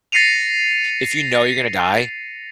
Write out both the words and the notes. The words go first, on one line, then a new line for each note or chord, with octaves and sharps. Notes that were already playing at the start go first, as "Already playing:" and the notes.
if you know you're gonna die
A6 A#6 C7 C#7 D#7 F7